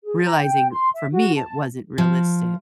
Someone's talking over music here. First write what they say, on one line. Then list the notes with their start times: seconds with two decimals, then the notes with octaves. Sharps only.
realizing, for me, it wasn't realistic,
0.03 G#4
0.23 A#5
0.37 G5
0.72 C6
0.94 E5
1.11 F#4
1.34 A5
1.98 F3